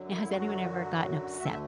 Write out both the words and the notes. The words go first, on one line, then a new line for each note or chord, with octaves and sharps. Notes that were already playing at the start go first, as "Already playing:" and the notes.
Now, has anyone ever gotten upset
Already playing: F#2 D3 F#3
E4
F#4
D2 D3 A3 E5